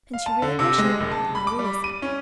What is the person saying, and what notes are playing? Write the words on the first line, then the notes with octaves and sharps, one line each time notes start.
"Since you really wish it, I will listen."
F5
A5
D3
C3
G#3
F#1
A5
B5
D6
G3
D#7
C#4